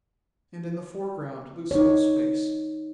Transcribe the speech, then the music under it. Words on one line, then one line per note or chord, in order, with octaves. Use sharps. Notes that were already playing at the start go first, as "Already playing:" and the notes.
And in the foreground Lucille's face.
D#4 C#5